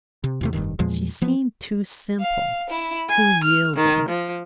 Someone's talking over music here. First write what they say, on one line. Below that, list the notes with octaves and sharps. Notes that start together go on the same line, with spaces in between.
She seemed too simple, too yielding.
C3
E2 C3 A3
F1 A#1 G2 D#3
E2 A#2 F3 G#3
F3 B3
F5
E4
G#5
F6
D#3
F3